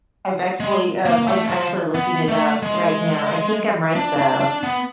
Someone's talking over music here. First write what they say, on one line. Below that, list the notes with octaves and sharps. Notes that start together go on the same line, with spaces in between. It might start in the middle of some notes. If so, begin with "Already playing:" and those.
I'm actually uh, I'm actually looking it up right now. I think I'm right though.
G#3
A#3
A3
F3
B3
A3
G#3
D4
D4
D4
B3